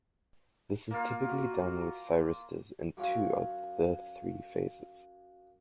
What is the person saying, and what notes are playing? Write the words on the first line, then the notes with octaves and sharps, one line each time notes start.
This is typically done with thyristors in two of the three phases.
A#3 F4
F#4
F#2 F#3 C#4 F4 C#5 C#6